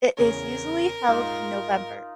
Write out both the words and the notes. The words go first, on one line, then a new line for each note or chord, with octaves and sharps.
It is usually held in November.
E2 C#3 A#4 C#5
G#2 D#4 F4